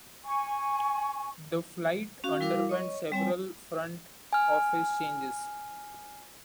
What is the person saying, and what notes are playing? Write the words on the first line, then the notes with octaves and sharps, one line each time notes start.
The Flight underwent several front office changes.
G#5 C#6
C#4 F#4 F5
G3 E4 F#4 A#4 F5 D6
C#5 D#5 C#6
G3 C4 C#5 G#5
G#5 F6